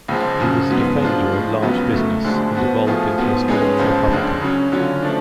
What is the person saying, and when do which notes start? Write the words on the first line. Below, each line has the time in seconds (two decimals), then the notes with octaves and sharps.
He was a defender of large business and evolved into a staunch Republican.
0.08 C#2 C#3 F3 G#3
0.39 F#2 C#3 F3
0.70 G#2 F#3 B3
1.01 F3 G#3 D4 F4
1.32 A2 F3 G#3
1.62 C#2 C#3 F#3 B3 F4
1.94 A2 F#3 A3
2.24 D2 D3 F3 G#3
2.55 F3 B3 F#4
2.87 A2 F3 A3 F4 G#4
3.18 G#2 F3 B3 F#4
3.48 G#2 G#3 C#4 G#4 B4
3.79 C#2 C#3 F3 G#3
4.10 C#2 C#3 G#3 D4
4.41 C#3 F#3 C#4
4.72 D3 F#3 C#4 F4
5.03 F3 A3 D4